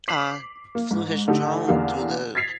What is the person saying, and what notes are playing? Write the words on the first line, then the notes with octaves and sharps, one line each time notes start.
uh, flew his drone through the
D6 B6 C7 F7 F#7
A#3
G#2
D3 A3 D#4 G4
E2 D3 E3 A#3 G4 F5
G#6 A6 B6 C7 F7